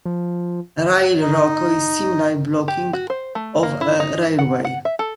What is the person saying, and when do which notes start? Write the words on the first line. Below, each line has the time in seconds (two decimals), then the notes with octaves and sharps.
Rail roko is similar blocking of a railway.
0.05 F3
1.21 D#4
2.68 G4
2.93 F#4
3.10 C5
3.35 A3
3.63 A#3
3.81 E4
4.00 D#4
4.39 F#5
4.65 F#5
4.85 E5
4.99 A4